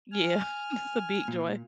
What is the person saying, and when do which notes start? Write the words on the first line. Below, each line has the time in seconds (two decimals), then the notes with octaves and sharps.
Yeah, just, a big joy.
0.12 G#5 F6
1.28 A#2